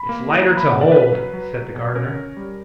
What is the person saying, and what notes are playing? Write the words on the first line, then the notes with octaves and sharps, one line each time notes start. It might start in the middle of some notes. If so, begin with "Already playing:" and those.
"It's lighter to hold," said the Gardener.
Already playing: B5
A#3
E4 A#5
A#5
A#3
B5
C#3 F#5
D5
C#3 B4
B4
F#3
F#3
F#3
B2
C#4 A#4
C#4
G3